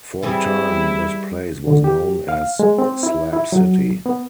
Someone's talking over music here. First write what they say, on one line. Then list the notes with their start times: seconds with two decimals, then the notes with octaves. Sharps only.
For a time this place was known as "Slab City".
0.23 E3 G3 C4 E4 G#4
1.67 D3
1.84 G4
2.29 F5
2.59 G#3
2.79 C4
3.03 E4
3.33 E4
3.52 F#3
4.06 B3